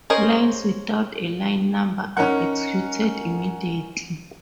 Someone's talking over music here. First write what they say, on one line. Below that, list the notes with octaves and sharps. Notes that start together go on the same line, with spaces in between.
Lines without a line number are executed immediately.
C#4 G#4 A#4 C5 D#5
C#4 D#4 A#4 F#5